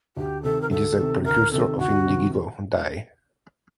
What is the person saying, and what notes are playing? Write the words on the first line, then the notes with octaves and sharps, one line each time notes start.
It is a precursor of indigo dye.
D2 G4
C3 D#3 A4
A#4
D2 A4
C3 D#3
D2 A#4
C3 D#3 A4
D2 F#4
C3 D#3